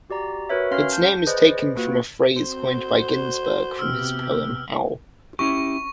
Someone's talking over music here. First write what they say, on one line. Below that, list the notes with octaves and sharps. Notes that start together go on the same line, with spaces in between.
Its name is taken from a phrase coined by Ginsberg, from his poem Howl.
F#4 G4 D5 A#5
F#4 A#4 B4 C#5 E5
C#4 F5 C6 F6
A5 G6
G#4 B4 C5 D5 D#5
A#3 F4 F#4 B4
C4 F#4 C5
C3 B3 G4 E6 F6
C#4 E4 G4 C#6